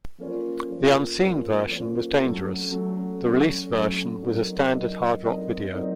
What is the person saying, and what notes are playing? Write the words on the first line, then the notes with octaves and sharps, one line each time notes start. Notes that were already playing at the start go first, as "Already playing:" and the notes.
The unseen version was dangerous; the released version was a standard hard rock video.
F3 A#3 C#4 F4 C5
F3 A#3 C#4 F4 C5
F3 A#3 C#4 F4 C5
F3 A#3 C#4 F4 C5
F#3 A3 C#4 A4
F#3 A3 C#4 A4
F#3 A3 C#4 A4
F#3 A3 C#4 A4
F#3 C4 D#4 A#4 D#5
F#3 C4 D#4 A#4 D#5
F#3 C4 D#4 A#4 D#5
F#3 C4 D#4 A#4 D#5